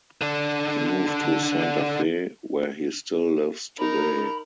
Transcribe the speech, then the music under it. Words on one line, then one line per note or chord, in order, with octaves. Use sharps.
He moved to Santa Fe where he still lives today.
D3 D4
D#4 A#4 B5